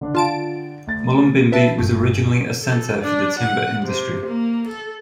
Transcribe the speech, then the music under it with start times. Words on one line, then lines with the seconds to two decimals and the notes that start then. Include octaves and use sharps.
Mullumbimby was originally a centre for the timber industry.
0.01 D3 D4
0.15 D3 F4 G5 A5 D7
0.87 D2 A6
1.52 B4 E5 A5
1.78 G1 A3
2.62 A4
3.00 D4
3.40 F#5
3.86 C3
4.25 A#3
4.68 A4